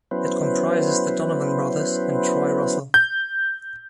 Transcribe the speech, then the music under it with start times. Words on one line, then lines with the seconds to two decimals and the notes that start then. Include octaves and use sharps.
It comprises the Donovan brothers and Troy Russell.
0.11 F#3 B3 C#4 E4 B4 C5
2.94 G6